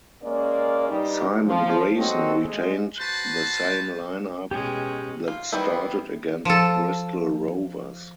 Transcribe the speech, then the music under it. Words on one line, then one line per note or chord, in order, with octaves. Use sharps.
Simon Grayson retained the same lineup that started against Bristol Rovers.
G#3 A#3 C#4 D5
G2 G3 D#4
F3
G2 F#3 C4 F#4 A4 D#5
G#3
F#4 B4 C5 A5
B2 G#3 C#4 G4 G#5
F4
D#3 G3 B3 C4 E4
F3 A4